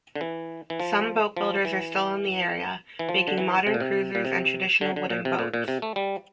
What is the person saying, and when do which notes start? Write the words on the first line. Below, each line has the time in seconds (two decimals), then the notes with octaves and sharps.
Some boatbuilders are still in the area, making modern cruisers and traditional wooden boats.
0.15 D3
0.21 E3
0.70 E3
0.80 F3
1.37 F3
1.65 E3
2.99 E3
3.09 F3
3.28 D3
3.38 E3
3.67 C3
3.74 A#2
3.80 C3
4.15 A#2
4.25 C3
4.81 D3
4.96 D3
5.10 A#2
5.25 C3
5.39 A#2
5.54 A#2
5.68 C3
5.82 A3
5.96 G3